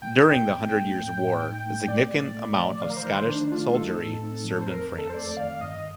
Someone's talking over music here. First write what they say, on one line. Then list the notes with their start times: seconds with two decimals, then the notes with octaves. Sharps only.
During the Hundred Years War, a significant amount of Scottish soldiery served in France.
0.02 A#2 G5
0.26 A#2
0.49 C4
0.72 A3
0.96 A2
1.18 A2
1.42 D#4
1.66 A3
1.88 A#2 D5
2.12 A#2
2.34 A3
2.58 F3
2.82 D#3 F5
2.90 A#4
2.97 C5
3.04 D#3 A#4
3.12 C5
3.28 D4 D#4
3.52 A3 F4
3.74 D#4 A4
3.98 A2
4.22 C4
4.44 F3
4.61 C5
4.67 F2 A#4
4.91 F2
4.98 A4
5.10 C5
5.14 A3 D5
5.37 D#3 F5
5.61 G2 D#5